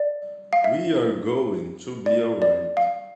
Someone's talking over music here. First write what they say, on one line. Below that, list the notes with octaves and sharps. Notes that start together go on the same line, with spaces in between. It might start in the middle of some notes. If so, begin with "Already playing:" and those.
We are going to be alright.
Already playing: D5
F5
E5
D5
D5
F5